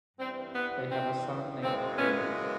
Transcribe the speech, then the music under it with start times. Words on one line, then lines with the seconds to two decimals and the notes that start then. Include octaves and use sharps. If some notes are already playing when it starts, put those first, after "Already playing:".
They have a son named Veer.
0.17 G2 E3 G3 C4
0.54 B3
0.89 C4
1.62 F#2 C#3 E3 G#3 C4
1.98 B3 C#4